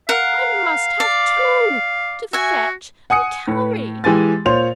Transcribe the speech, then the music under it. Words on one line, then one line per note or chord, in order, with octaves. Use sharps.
'I must have Two--to fetch and carry.
A#4 F5 F#5
D5
F#4 E5 G#5
F#5 G#5 D#6 C#7
A2
E3 G#3 G4 G#5 A6
A#2 F4 C5 C#5 F7